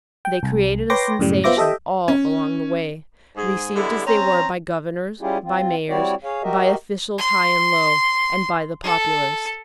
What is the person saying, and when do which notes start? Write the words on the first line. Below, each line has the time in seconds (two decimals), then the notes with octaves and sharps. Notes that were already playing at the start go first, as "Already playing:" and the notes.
They created a sensation all along the way, received as they were by governors, by mayors, by officials high and low, and by the populace.
0.25 G5
0.43 C2
0.90 B4 C#5 G5 C6 D6 A#6
1.19 F#2 A2 C#3 G3
1.44 B3 F4 C5 E5 D6 A#6
1.57 G4 A4 D#5 E5 G5
2.08 C#4
3.36 G#2 G#4
3.75 D3 G3 G#3 B3 E4
4.06 C4 C#4 A#5
5.21 G3 C#4 E4 F4 G4 G#4
5.44 C4 F4
5.89 G3 C4 E4 F#4 C#5 D5
6.24 G#4 C#5 F5
6.43 F#4 G4 A#4 D#5 E5
7.18 C6
8.83 A4